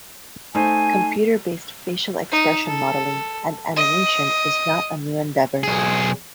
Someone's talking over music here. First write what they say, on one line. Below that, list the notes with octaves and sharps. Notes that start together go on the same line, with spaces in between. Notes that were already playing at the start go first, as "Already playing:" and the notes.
Computer based facial expression modelling and animation is not a new endeavour.
A3 D#4 C5 G#5
D#4
A4
D#5
B1 G#4